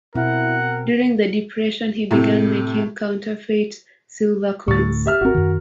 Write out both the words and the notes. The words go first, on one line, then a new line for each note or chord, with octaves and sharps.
During the Depression he began making counterfeit silver coins.
B2 C4 E4 A#4 F#5
A2 C3
D2 A2 C#6 A6
G4 E5 F6
G#1 C4 F#4 A#4
F#2 D#3